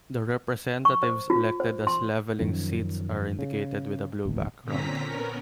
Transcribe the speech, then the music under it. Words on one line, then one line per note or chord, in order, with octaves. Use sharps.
The representatives elected as leveling seats are indicated with a blue background.
C#6
C5
F4
C5
C6
F#2 D#3 F3 C#4
C#3
D1 A1 D#2
A#2 D3 C4 C#4 A#5 B6
B3 C#4 A#4